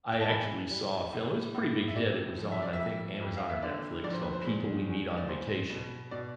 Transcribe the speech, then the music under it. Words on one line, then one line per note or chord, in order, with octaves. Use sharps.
I actually saw a film it was a pretty big hit, it was on, I think, Amazon or Netflix, called People We Meet on Vacation,
G5
A5
E3 B5
G3
A2
A2
E5
C3 D5
F3
E5
D5
E5
F2
F2
F5
E5
D3 D5
F3 D5
C5
B4
C5
E2
E2
D5
G3 C5
B2
B2 D5